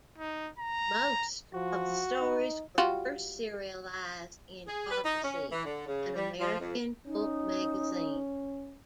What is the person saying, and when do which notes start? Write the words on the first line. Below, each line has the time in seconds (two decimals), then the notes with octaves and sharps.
Most of the stories were first serialized in "Argosy", an American pulp magazine.
0.18 D#4
0.59 A#5
1.54 F3 F#4
2.20 D#4
2.78 G3 F4 F#4
4.67 G#4
4.89 B4
5.03 D#4
5.22 C#4
5.51 E3
5.65 D3
5.87 C#3
6.15 G3
6.39 F3
6.59 F2
7.06 C#4 D#4